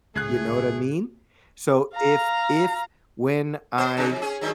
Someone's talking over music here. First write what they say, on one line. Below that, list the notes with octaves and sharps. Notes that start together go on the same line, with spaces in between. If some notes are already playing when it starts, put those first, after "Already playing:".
You know what I mean? So if if when I
C#2 A2 A3 G#4 F#6 G#6 C7
F5 A#5
B3 C5
G#2 C#3
F2
C#4 G#4
G2 D#3 F#3